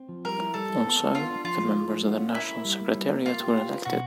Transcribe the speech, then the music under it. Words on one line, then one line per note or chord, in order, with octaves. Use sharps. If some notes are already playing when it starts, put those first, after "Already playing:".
Also, the members of the National Secretariat were elected.
Already playing: C4
F3
G3 A#4
E4
G3 A4
E4
B3
B3
B3 F4
D4
F3 F4
G#3
F3
G#3
F#4
C#4
E4 A#4
A#4
G3
A#3
G3
A#3
A#3 F4
G4
G4
B4
B2 F#4